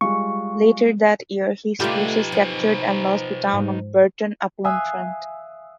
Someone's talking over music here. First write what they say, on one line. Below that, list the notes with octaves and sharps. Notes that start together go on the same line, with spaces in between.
Later that year, his forces captured and lost the town of Burton upon Trent.
G3 G#3 F4 C#6
D3 A3 D#4 F4 G4 B4 G5
F3
G#2
E5 F5 G#5 D#6 E6 F#6